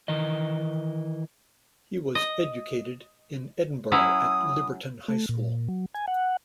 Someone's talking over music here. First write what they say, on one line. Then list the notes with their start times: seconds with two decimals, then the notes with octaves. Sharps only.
He was educated in Edinburgh at Liberton High School.
0.08 D#3 E3 D#5
2.15 D#5
3.92 F#3 C#4 E4 D#6
5.08 A3
5.29 A#2
5.68 F#3
5.95 G#5
6.08 F#5